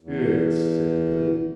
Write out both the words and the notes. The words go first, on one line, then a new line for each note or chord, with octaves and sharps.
"Yes," said Billy.
E2